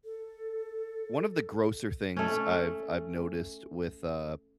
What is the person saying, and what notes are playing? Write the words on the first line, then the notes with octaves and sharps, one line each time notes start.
One of the grosser things I've I've noticed with, uh,
A4
A3 C#4